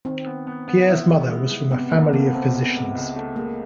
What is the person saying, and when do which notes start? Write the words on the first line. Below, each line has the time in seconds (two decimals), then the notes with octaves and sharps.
Pierre's mother was from a family of physicians.
0.05 D#3 C4
0.26 B3
0.47 B3
0.68 B3
0.88 E4
1.09 G#3
1.29 G#3
1.50 G#3
1.71 C3 B3
1.91 A3 A#3
2.12 A3 B3
2.33 A3 C4
2.54 C#2 B3
2.75 C#2
2.95 C#2
3.16 A3
3.36 G#3 A#3